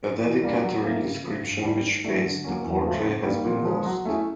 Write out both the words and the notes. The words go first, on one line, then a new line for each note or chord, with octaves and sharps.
A dedicatory inscription which faced the portrait has been lost.
E3
G3 A#3 D4
F#3
A#3 C#4 E4 A4
C#3
F3 A3
G2
D#3 G3 A#3
G#2
E3 A3 D4 G4
D3
F#3 A#3 C#4
E2
C#3 F3 A3 C#4
F#2
D#3 G3 A#3
A#2
F3 G#3
F#3
A3 C#4 E4 G#4